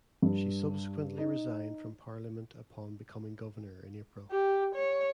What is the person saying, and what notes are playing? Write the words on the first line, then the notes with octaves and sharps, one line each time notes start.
She subsequently resigned from parliament upon becoming Governor in April.
G2
D#4
G4
C#5